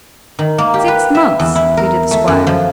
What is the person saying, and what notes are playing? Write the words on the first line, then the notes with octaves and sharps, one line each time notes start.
"Six months," pleaded the squire.
D#3
A#3
G4
B4
E5
E2
E4
A#4
A3
F#2
F3